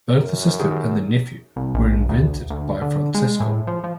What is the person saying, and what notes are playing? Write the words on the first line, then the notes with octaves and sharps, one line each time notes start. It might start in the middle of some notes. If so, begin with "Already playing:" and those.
Both the sister and the nephew were invented by Francesco.
F#2 A#4
D#3 G4 G#4
C2
A#1
D2
D2
D3
G#3
A2
F3
F3